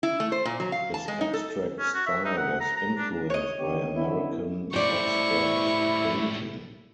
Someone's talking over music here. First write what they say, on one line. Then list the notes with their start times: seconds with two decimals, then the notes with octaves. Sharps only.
His abstract style was influenced by American abstract painting.
0.03 E4
0.20 A3
0.32 C5
0.45 A#2
0.60 F#3
0.72 F5
0.94 A5
1.08 G#3
1.21 D#4
1.33 A4
1.79 C#4
1.94 F#4
2.07 E5
2.25 D#4
2.37 F#5
2.60 A#5
2.76 A#5
2.97 D4
3.30 C#5 D#5
3.59 D3 B3 G4
3.95 D3 B3 E4
4.74 A2 G3 E4 C5 D5 C#6